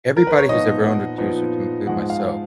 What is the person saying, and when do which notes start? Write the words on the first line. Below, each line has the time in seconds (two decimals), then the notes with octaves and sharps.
everybody who's ever owned a juicer, to include myself,
0.17 A#4
0.27 B4
0.38 C#5
0.49 A#2 F3 B3 D#4 D#5
0.83 F#5
1.18 A#2 F3 B3 D#4
1.87 G#2 F3 G#3 F#5
2.10 F5